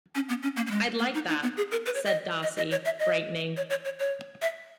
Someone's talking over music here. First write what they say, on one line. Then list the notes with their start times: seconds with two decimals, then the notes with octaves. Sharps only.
"I'd like that," said Darcie, brightening.
0.15 C#4
0.29 B3
0.43 C#4
0.57 A#3
0.67 A#3
0.71 G#3
0.99 A#3
1.14 D#4
1.29 D#4
1.43 B3
1.57 G#4
1.71 A#4
1.86 B4
1.95 C#5
2.05 D#5
2.43 D#5
2.57 D#5
2.71 C#5
2.85 E5
2.99 D#5
3.57 C#5
3.70 C#5
3.85 C#5
3.99 C#5
4.42 E5